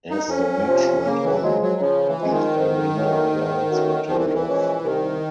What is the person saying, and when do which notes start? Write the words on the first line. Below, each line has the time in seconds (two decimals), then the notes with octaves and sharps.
As the match went on, the arena lights were turned off.
0.10 D#4
0.29 F2 C#4
0.67 C3 F3
1.05 C#3 A#3
1.23 E3
1.42 F3 F#3 G#3
1.61 F#3
1.81 C#3 F3
2.06 E3
2.19 F3 G#3
2.31 D#3
2.57 G#2
2.95 E3 A3 C#4 F#4
3.32 G#2
3.70 E3 A3 C#4 F#4
4.08 C2 F3
4.17 E3
4.25 D#3
4.34 E3
4.47 A#2 F3 G#3 C#4
4.84 C2 D#3